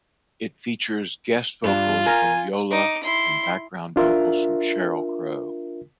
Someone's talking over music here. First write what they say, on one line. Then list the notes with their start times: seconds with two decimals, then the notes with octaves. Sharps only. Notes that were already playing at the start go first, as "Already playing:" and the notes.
It features guest vocals from Yola and background vocals from Sheryl Crow.
1.64 G2 D4 F4
2.06 A#4 G#5
2.71 D#4 D6
3.04 E4 C6
3.96 D4 F4 A#4 E5